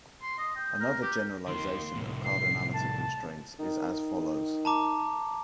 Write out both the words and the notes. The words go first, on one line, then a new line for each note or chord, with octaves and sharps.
Another generalization of cardinality constraints is as follows.
C6
D#5
G5
A#4
G4
D#3 A#3 C6
C2 A2
C7
A5
D#3
A5 A#5 D6